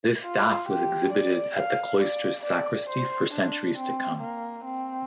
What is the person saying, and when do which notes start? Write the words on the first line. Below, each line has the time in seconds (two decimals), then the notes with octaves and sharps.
This staff was exhibited at the cloister's sacristy for centuries to come.
0.23 F4
0.68 G4
1.12 D5
1.56 F5
2.00 D5
2.45 D5
2.89 C5
3.33 D4
3.77 C4
4.21 A#3
4.66 C4